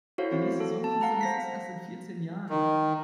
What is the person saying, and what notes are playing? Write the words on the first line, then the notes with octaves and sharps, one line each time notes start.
Die nächste Sonnenfinsternis ist erst in vierzehn Jahren.
E4 F#4 A4 C5 C#5 F5
C4
A4
A5
F5 F#5 A#5
C5 A#6 B6
D#3